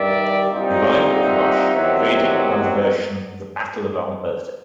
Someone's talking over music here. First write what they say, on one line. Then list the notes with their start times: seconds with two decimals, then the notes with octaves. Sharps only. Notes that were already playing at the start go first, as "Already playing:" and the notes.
The arrival of the Rush created another version of "The Battle Of Alberta".
Already playing: G2 D#3 G3 D5 E5
0.50 C2 A#2 G3 C4 D#4
1.11 E5 F#5
1.74 E2 C3 D#3 F#3